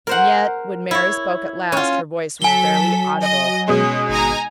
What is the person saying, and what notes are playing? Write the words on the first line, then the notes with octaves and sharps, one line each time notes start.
And yet, when Mary spoke at last, her voice was barely audible.
A#4 C5 F#5
E4 C#5
C#4 F4
F#3 A4 G#5 B6 G7
D#5
B2 G#3 C#4
G#1 D#4 G#5 A#5